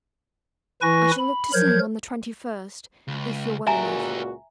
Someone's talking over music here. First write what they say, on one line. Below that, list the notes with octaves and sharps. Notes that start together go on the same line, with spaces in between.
I shall look to see you on the twenty-first, if you're well enough.'
E3 E4 B4 G#5 C#6 A#6
B5
F3 F#3 A#4 G6 G#6
C#2
C#2 A#2 F#4 G4 A#4 E5 G#5 A#5